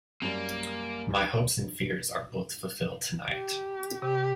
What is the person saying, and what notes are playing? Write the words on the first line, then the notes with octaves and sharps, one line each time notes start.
My hopes and fears are both fulfilled tonight.
F#2 G3 A#3
G4
C3 G4